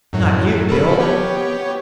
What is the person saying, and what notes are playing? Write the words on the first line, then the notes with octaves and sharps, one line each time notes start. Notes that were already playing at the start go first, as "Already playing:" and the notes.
Not you, Bill!
F#2 A2 F#3
A4 A#4 B5
B3 G4 C#5